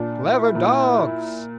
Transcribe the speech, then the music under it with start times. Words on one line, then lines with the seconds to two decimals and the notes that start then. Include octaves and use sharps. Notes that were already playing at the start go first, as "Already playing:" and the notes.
Clever dogs!
Already playing: A#2 D4
0.25 E4
0.55 A#2